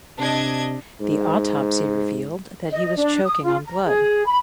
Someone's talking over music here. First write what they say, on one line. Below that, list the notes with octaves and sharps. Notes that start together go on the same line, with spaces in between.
The autopsy revealed that he was choking on blood.
C3 D4 D#5 G#6
G#2
D#5
D4
D#6
F4
A#5
G#4
B5